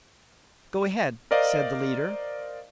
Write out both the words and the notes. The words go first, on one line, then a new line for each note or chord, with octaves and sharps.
"Go ahead," said the leader.
A#4 C5 D5 D#5 F5